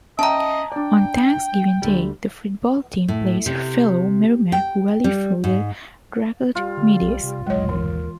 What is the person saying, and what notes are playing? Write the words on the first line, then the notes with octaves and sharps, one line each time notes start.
On Thanksgiving Day, the football team plays fellow Merrimack Valley foe the Dracut Middies.
C#4 D#5 E5 G5 A5 A#5
D4 D5 G5
D2 D3 G3
A2
C3
G5
G3
G#2
G3 F4
D3
B1
C3
F#3 G#3 C#5 D#5
D#2 E3 A#4